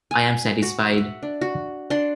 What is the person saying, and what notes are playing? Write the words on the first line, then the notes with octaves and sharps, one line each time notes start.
I am satisfied.
G#5
F#4
E5 F#5
D4
F#4
D4 F#5 C6